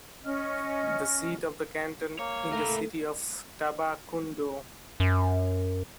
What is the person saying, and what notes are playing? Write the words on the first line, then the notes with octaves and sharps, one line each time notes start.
The seat of the canton is the city of Tabacundo.
C#4 D#5 F6
A#3 C#5
A3 E4 A#4
F#2